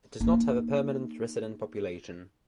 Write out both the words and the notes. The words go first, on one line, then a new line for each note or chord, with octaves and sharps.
It does not have a permanent resident population.
A#3 D#4